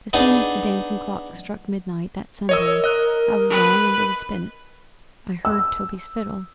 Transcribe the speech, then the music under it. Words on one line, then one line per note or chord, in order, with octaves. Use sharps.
As soon as the dancing clock struck midnight that Sunday--I was lying under the spinet--I heard Toby's fiddle.
B3 D4 D#4 G#4
A#4 C#5 D#5 E6
D#5 F#6
B4
E6